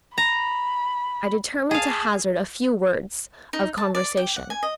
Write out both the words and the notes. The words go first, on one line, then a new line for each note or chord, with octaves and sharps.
I determined to hazard a few words of conversation.
A#5 B5
G#4 F5 A5
D#4
A5
D5
G5
F#5
G#5
D#5